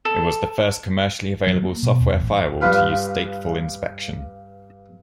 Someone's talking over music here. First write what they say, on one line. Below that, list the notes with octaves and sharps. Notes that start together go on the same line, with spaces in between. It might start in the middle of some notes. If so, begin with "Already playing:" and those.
It was the first commercially available software firewall to use stateful inspection.
A4
F#3
A#3
B2
E2
A1
G2 C#3 G3 F4 B4 F5